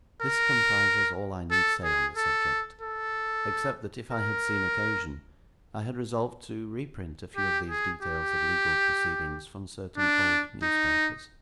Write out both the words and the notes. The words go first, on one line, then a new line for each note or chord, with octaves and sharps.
This comprises all I need say on the subject; except that if I had seen occasion, I had resolved to reprint a few of these details of legal proceedings, from certain old newspapers.
A#4
A4
G#4
A4
A4
A#4
G4
G#4
G4
D4
D#4